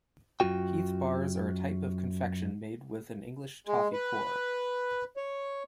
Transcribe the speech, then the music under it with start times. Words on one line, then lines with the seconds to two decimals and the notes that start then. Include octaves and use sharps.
Heath bars are a type of confection made with an English toffee core.
0.40 F#2 D4 F4 F#4 G5
3.67 G#3
3.93 B4
5.17 C#5